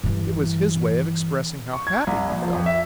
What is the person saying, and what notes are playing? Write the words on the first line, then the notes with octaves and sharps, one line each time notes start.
It was his way of expressing how happy he felt.
G2 E3
C#6
G#6
C2
A#1
F3
F2
E5